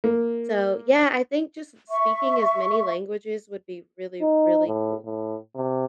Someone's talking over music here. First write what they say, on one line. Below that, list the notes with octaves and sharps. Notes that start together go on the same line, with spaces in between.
so yeah, I think just s speaking as many languages would be really, really cool
A#3
E5 C#6
D#4
A2
A2
C3